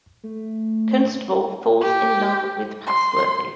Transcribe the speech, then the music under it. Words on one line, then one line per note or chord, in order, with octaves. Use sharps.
Constable falls in love with Passworthy.
A3
G4
C6